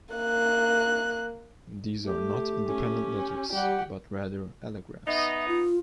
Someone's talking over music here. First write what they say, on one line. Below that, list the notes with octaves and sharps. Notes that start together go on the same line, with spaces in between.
These are not independent letters, but rather allographs.
A#3 F#6
A3 G4
C#4
G3 G4 F#5
B3 D#4 E5
F4